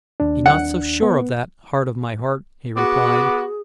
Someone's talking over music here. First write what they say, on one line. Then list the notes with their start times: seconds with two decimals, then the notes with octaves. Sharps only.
"Be not so sure of that, heart of my heart," he replied.
0.20 D#2 D4
0.46 F#5
1.02 B3
2.77 B3 F#4 G#4 D6